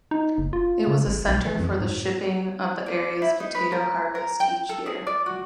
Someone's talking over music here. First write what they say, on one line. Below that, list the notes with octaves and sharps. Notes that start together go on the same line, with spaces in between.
It was a center for the shipping of the area's potato harvest each year.
D#4
F#1
F4
C#3
G#1
B1
E3
F2
G#2
D5
E4
D#4
B4
A#4
A#4
G5
A4
G#4
D5
F#4